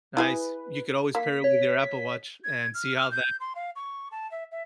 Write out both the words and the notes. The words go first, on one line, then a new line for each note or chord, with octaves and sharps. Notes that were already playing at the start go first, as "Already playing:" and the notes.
Nice. You could always pair it with your Apple Watch and see how that
E4 G#4 B4 G#5
A#3 B6
C#5
G#6
F6
F6
G6
C6
F5
C#6
A5
E5
E5